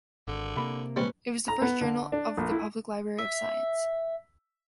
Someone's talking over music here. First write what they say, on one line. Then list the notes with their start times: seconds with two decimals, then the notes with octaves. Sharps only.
It was the first journal of the Public Library of Science.
0.28 G#1 D3
0.56 C3 A#3 B5
0.96 A#2 G3 G#3 C4 C#4 B4
1.48 A#5
1.62 B3
1.81 D3
2.12 D4
2.37 A#1
2.51 E4
3.18 E5